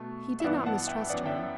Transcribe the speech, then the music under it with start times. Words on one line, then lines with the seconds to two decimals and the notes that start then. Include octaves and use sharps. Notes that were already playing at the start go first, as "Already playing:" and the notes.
He did not mistrust her.
Already playing: B2 A3
0.40 E5
0.44 G2 E3 B3 D5 F#5
0.66 F#5 A5
0.87 E5 G5
1.09 F#2 E3 B3 D5 F#5
1.26 E5 G5